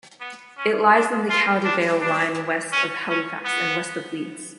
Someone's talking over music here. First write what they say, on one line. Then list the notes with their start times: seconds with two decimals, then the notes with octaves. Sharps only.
It lies on the Caldervale Line west of Halifax and west of Leeds.
0.20 B3
0.57 C#4
0.92 D4
1.29 F4
1.64 D4
2.01 D4
2.72 C#4
3.09 C#4
3.45 B3